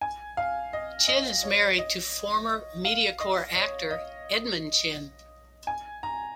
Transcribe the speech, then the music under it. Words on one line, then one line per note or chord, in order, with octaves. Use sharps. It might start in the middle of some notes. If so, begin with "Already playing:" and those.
Chen is married to former MediaCorp actor Edmund Chen.
G#5
F5
D#5
D#5
C#5
D#5
F5
D#5
C#5
D#5
G#5
A#5